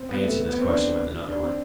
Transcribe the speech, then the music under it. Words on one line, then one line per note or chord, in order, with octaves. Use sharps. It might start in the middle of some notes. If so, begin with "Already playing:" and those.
I answered this question with another one.
Already playing: C4
B3
A3
A3
B3
C4
D4
D4
C4